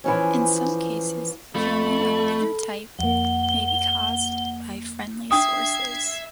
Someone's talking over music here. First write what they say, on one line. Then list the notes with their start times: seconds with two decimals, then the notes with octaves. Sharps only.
In some cases, jamming of either type may be caused by friendly sources.
0.04 E3 F3 C#4
1.55 F2 A3 A4 B5
2.99 F2 A#3 F#5 G7
5.31 D4 E5 G5 D#6 G#6 C7